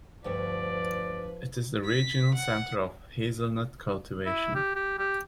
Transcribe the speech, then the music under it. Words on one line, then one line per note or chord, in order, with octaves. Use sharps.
It is the regional center of hazelnut cultivation.
D2 G2 F3 B4 C#5 D5
B6
F#5
E4
G4
G4
G4